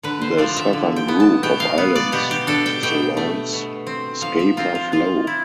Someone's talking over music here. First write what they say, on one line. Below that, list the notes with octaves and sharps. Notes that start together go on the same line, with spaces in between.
The southern group of islands surrounds Scapa Flow.
D3 B4
C5
F3 D5
E5
D3
G5
B3
A5
B2 G5
F5
B3
D5
B2 G4
G4
D4 A4
G5
B2 G5
A3
B2
C4
F3 F5
E5
C4 F4
F4
F3 F4
E4